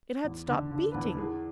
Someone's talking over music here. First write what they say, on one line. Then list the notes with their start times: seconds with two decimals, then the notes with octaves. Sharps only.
It had stopped beating.
0.24 E2
0.48 D3
0.71 D3
0.92 E2 B4
1.05 A4
1.18 E3 G#4